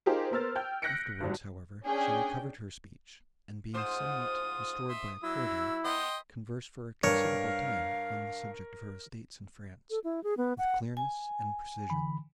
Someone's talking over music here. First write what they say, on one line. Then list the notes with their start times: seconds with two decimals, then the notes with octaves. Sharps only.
Afterwards, however, she recovered her speech, and, being somewhat restored by a cordial, conversed for a considerable time, on the subject of her estates in France, with clearness and precision.
0.06 D#4 F4 G4 G#4 A#4 C5
0.31 B3 A#4 C5 E6 F6 A6
0.55 G5 F6 G6
0.82 F#6 G6 A#6 B6 C#7 D7
1.20 G#1 D2 G2
1.84 C#4 D4 G#4 G5
3.74 G#2 F4 C5 D#6
4.89 E5 C6
5.23 F#3 E4 E6
5.84 B3 D#5 G5 C6
7.03 G2 A#4 C#5 F5
9.90 A4
10.04 E4
10.24 G#4
10.37 B3
10.58 F#5
10.97 G#5
11.90 D3 E3 B5